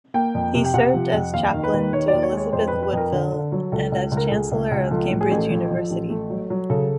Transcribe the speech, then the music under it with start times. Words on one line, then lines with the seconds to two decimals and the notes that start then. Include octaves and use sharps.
He served as chaplain to Elizabeth Woodville and as Chancellor of Cambridge University.
0.14 A#3 G5
0.35 F2
0.54 C3
0.65 G5
0.74 C3 F#5
0.94 F3
1.13 F2
1.34 D#2 F5
1.53 D#3
1.63 B4
1.73 D#2
1.93 D#3 C#5
2.08 D5
2.13 D#2
2.23 C#5
2.33 G#3 C#5
2.53 F2 C5
2.68 F2 B4
2.83 B4
2.93 F2 A#4
3.12 D3 A4
3.32 D3
3.52 F#3
3.72 C#2 A4
3.92 C#2
4.11 C#2
4.17 A#4
4.24 A4
4.31 C#2 G#4
4.51 C#2
4.71 C#2
4.91 F3 A4
5.11 A2
5.21 G#4
5.31 A1 A4
5.50 F3
5.71 F3
5.90 A1
6.10 A3
6.30 F#3
6.50 F#3
6.70 C#3 A4